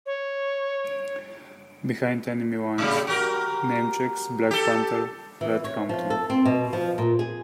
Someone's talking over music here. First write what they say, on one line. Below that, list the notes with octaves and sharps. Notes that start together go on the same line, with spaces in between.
"Behind Enemy Lines" namechecks Black Panther Fred Hampton.
C#5
A2 C#3 G3
F#4 G4 A#4
G4 A4
E3
C#5
F3
A4
C4
B2
F3
A#2
G#4